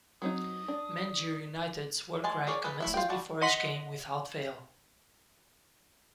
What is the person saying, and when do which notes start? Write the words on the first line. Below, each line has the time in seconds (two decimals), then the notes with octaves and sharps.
Mangere United's war cry commences before each game without fail.
0.22 F#3 C4 D#4 D#6
0.68 D4
2.24 G#3 G#5 A5
2.47 G#4 A#4 C#5 D5
2.64 G#4 A4 B4
2.80 A3 E4 E5
2.94 F4 G5
3.09 G3 F#4 A5
3.41 D#5 F#5 C6 B6